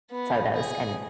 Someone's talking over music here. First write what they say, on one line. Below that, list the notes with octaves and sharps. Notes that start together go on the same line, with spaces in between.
photos and
B3
G#4